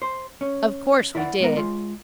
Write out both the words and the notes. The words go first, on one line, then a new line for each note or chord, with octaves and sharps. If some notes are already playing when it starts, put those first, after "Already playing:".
Of course we did.
C5
C#4
E4 B4 D5 F#5
G#3 B3 A#4
G#3 F4